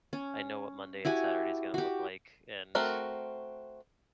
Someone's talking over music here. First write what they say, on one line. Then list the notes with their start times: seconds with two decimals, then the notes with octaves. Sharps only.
I know what Monday and Saturday is gonna look like, and
0.13 C#4
1.05 E4 F#4 G4 G#5
1.74 F#4 G4
2.75 A3 C4 F#4 A#4